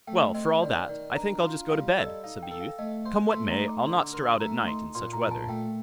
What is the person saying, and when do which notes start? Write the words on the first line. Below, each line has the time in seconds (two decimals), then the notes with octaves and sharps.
'Well, for all that, I think I'll just go to bed', said the youth. 'Come what may, I'll not stir out at night in such weather.'
0.07 A3 G5
0.34 C4 D#5
0.62 D#3 D5
0.89 D#3 D5
1.16 D4 A#5
1.43 F4 C6
1.70 G3 F5
1.89 D5
1.97 A4
2.06 D#5
2.24 D#4 F5
2.43 G5
2.51 A4
2.61 F5
2.79 A3 D#5
3.05 C5 C6
3.32 A3 C6
3.51 A#5
3.59 D#4
3.68 D6
3.86 D3 C6
4.00 D6
4.13 A#4 C6
4.27 C6
4.40 A3 A#5
4.67 D#4 C6
4.95 A#2 C6
5.13 A#5
5.22 A#2
5.31 A5
5.49 A3 G5